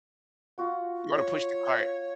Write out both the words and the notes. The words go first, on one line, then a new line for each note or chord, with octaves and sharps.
You oughta push the cart.
F4 F#4 F#5
C#5